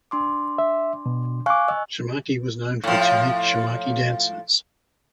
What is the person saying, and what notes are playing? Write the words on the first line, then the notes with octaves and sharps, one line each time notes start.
Shamakhi was known for its unique Shamakhi dancers.
D4 C6 D6
E5
B2
F5 G#5 C#6 D6 F#6
D#5 E6
A2 F3